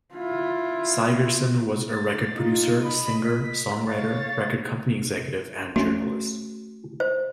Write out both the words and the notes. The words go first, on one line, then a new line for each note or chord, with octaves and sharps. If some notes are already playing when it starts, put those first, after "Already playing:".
Sigerson was a record producer, singer, songwriter, record company executive, and journalist.
E4 F4
A6
D#4 F4
D#5 B5
B6
C#5 F5 A6
A3 C4 C#4 F#4
C5